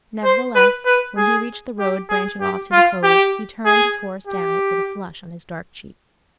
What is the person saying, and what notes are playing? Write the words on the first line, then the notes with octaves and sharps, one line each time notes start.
Nevertheless, when he reached the road branching off to the Cove he turned his horse down it with a flush on his dark cheek.
C5
B4
B4
G#4
G4
G#4
G4
F4
G4
G#4
G4